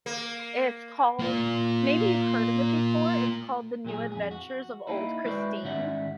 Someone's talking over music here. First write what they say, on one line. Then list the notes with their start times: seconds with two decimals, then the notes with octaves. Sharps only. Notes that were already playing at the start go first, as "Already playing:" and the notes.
it's called maybe you've heard of it before, it's called The New Adventures of Old Christine.
0.06 A#3
1.20 A#3 F4
3.85 A#2 F#3 G4 G#4
4.12 F2 G#4
4.31 F#4
4.87 A#3 D#4 E4
5.25 G#3 E4 F#4 B4 C5 D5
5.63 G#2 D#3 G3 C#4 E5 F#5